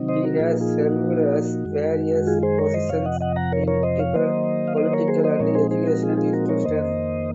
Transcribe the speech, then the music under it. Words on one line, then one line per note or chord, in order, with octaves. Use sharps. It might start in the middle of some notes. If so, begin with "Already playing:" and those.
He has served as various positions in different political and educational institutions.
Already playing: C3 D#3 F#3 C4 D#4
C5 D#5
F#4 A#4
A#2 F3 A#3 D#4 F4 G#4
F4 G#4
F#4
F#2 D#3 G#3
F4 G#4
G#4 C5
A#4 C#5
C5 D#5
F2 C3 F3 C#5 F5
D#5 F#5
D#5 F#5
F#5 A#5
A#4 C#5
A#4 C#5
C5 D#5
C#5 F5
D#3 F#3 A#3 C5 D#5
F5
C5 D#5
A#4 C#5
G#4 C5
C5 D#5
A#2 F3 G#3 C4 D#4 A#4 C#5
G#4 C5
G#4 C5
F#4 A#4
F4 G#4
F4 G#4
F#4 A#4
A#4 C#5
F2 D#3 A#3 C5 D#5